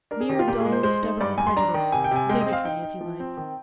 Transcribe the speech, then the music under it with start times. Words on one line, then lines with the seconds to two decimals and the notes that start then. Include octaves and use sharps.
Mere dull, stubborn prejudice; bigotry, if you like.
0.11 D4 A#4
0.20 G#4
0.29 D#3 G4
0.39 F4
0.47 A#2 G4
0.60 G#4
0.65 G#3
0.72 C5
0.83 G#3 C5
1.03 D#4
1.21 G2 D5
1.38 G2 G#5
1.47 C6
1.57 D4 A#5
1.74 D#3
1.92 C3 G#5
2.04 G5
2.11 C3 G#5
2.29 G#3 G5
2.41 D#5
2.46 C4
2.53 F5
2.64 D#4 G5
2.83 D#4
3.01 F3
3.20 C4
3.37 D#3